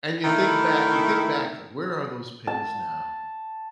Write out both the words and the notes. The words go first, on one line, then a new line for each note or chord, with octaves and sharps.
And you think back you think back, where are those pins now?
D#3 A3 E4
A5